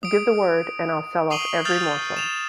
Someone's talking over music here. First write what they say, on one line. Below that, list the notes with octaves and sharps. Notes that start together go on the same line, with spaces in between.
Give the word, and I'll sell off every morsel.
D#6 D7
C#6 D#6 C7 D#7 F#7 G7
D#6 F6 G6 A6 F7
E7 F7